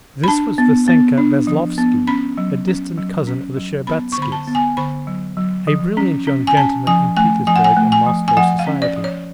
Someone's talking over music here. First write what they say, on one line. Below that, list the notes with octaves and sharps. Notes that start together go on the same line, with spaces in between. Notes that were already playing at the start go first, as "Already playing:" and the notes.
This was Vassenka Veslovsky, a distant cousin of the Shtcherbatskys, a brilliant young gentleman in Petersburg and Moscow society.
B5
D4 A5
B3
B3
D4
F3
B3
C#4 B5
F#3
C#4
F#3
C#4
F#3
B3 B5
C#6
D3 B5
A5
B3
G#5
D3 B5
F#3
F#3
F3
C#4
C#4
G#5
C#4 A5
F3 G#5
A3 G#5
F3 G#5
F#5
G#5
A3
G#5
F3
G#5
F3 F#5
F5
C#4
D5
F3
C#5